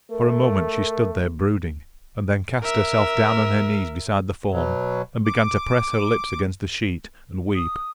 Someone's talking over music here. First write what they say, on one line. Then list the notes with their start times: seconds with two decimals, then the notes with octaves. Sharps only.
For a moment she stood there brooding, and then cast herself down on her knees beside the form, and began to press her lips against the sheet, and weep.
0.10 A3 A#4
2.63 A#4 E5
4.52 B2 F#3
5.26 D6
7.55 D#6